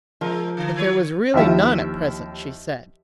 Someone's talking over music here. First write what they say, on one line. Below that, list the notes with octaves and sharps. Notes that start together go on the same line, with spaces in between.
But there was really none at present, she said.
F3 G#3 C4 A#4
D3
D#3 C#5
D#2 F3 E4 G4 E5